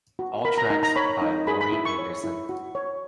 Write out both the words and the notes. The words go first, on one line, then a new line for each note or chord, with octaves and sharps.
All tracks by Laurie Anderson.
F#4
A#4 B5
A#5
D#4 A#5
A#5
C#5 B5
D#4
G#4 B5
B5
E4 B5
C#6
C#5
E4
F#4
C#5